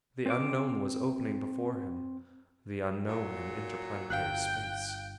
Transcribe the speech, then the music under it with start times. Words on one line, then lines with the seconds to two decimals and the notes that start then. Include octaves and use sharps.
The Unknown was opening before him, the Unknown in interplanetary space.
0.26 C4 D6
3.08 A#2 F#3
4.10 G1 F5 G5 F#6